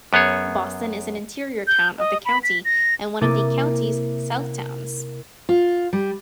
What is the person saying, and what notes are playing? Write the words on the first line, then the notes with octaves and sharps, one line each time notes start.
Boston is an interior town of the county and one of the county's "Southtowns".
F#2 B3 G#4 C#5
G6
D#5
B5
B6
A#6
C3 A#3 E4 D6 D#6 A6
F4
G3